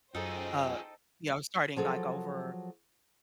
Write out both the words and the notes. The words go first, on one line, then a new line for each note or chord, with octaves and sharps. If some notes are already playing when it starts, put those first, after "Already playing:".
uh, you know, starting, like, over,
F#2 D#4 F4 G#4 A4 C5 D#5 G5
F3 F#3 G#4 A4